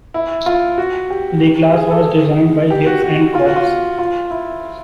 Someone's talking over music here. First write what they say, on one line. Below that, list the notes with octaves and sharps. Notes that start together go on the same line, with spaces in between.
The class was designed by Gibbs and Cox.
E4
F4
F#4
G4
G#4
A4
G#4
G4
F#4
F#4
F4
F#4
F4
F4
E4